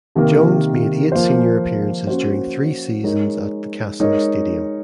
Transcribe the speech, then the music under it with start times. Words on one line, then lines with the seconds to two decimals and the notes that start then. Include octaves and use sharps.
Jones made eight senior appearances during three seasons at the Kassam Stadium.
0.15 C3 D#3 A#3
1.12 F3 A#3 F4 C5
2.07 A#3 C#4 F#4 C5
3.04 G#3 D#4 A#4 C#5
4.00 G#3 D#4 A#4 C#5